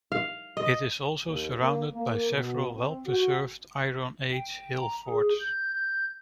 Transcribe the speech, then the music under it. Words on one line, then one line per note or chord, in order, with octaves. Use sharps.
It is also surrounded by several well-preserved Iron-Age hill forts.
F5
D#5
D#2
A#3
A#3
B2
C4
F#4
G5
A#5
G#4
G6
G6